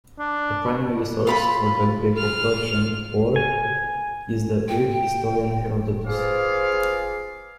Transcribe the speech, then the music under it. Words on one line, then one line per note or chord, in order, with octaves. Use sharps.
The primary source for the Greco-Persian Wars is the Greek historian Herodotus.
D4
F4 B4 B5
F4 F6
G#5
G5
F4 G#4 B4 C5 D5 F5